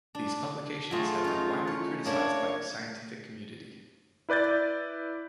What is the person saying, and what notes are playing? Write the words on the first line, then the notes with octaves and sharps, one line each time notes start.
These publications have been widely criticised by the scientific community.
D4
F#3 A3 F4 G#4
C#4 D#4
C#5
A#3 D4 E4 C#5
E4 B4 D5 G6 A6